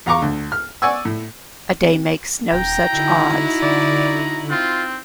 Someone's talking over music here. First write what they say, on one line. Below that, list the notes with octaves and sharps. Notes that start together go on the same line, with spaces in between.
A day makes no such odds.
E2 F5 A#5 C#6 D6
D2
F6
D5 F#5 G#5 C#6 E6
A2
D#1 G5 A#5
D3 D#4 E4 F#4
D3 D5
C4 F4